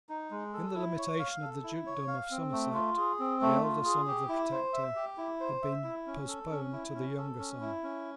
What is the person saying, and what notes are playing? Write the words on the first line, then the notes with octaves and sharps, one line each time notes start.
In the limitation of the dukedom of Somerset, the elder Son of the Protector had been postponed to the younger son.
D#4
G#3
A4
E4
C#5
F5
A4
E4
C#5
F5
C4
A3
F4
G#4
C4
A3
F4
G#4
G4
E4
C5
E5
G4
E4
C5
E5
E4
C#4
A4
C#4
E4
C#4
A4
C#4
E4
C#4